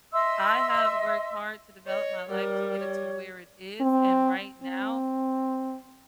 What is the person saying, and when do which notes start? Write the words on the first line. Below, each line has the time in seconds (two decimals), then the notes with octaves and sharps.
I have worked hard to develop my life to get it to where it is, and right now,
0.13 D#5 E5 C6 E6
1.87 C#5 D#5
2.29 G3 A#4
2.79 C#5
3.81 C4
4.63 C4